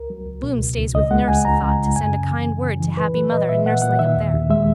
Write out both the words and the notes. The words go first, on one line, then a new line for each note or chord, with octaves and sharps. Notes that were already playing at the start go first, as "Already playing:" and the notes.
Bloom stays with nurse a thought to send a kind word to happy mother and nurseling up there.
Already playing: C#2 A#4
F#3
C#2
B2
C#2
C#2
C#2 D#5
G#3 F#5
C#2 G#5
C#2 A#5
C#2
C#3
F#2 G#5
C#3
E3
C#3
C#3
E3
A#2 B4
F#3 B4
A#2 D#5
A#2 E5
A#2 F#5
A#2 F#5
D#3 E5
D#2
D#2
G#3 E5